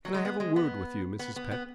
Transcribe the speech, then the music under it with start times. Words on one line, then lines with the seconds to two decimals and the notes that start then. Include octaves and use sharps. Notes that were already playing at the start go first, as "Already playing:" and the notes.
"Can I have a word with you, Mrs. Pett?"
0.05 F#3
0.14 G#3
0.25 B3
0.40 G#3
0.56 B3
1.19 B3
1.36 B3
1.51 B3